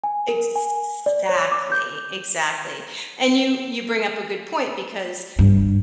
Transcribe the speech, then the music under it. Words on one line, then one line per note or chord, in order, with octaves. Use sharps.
Exactly, exactly, and you you bring up a good point because
G#5
A#4
G#5
D5
C#5
D6
G6
G2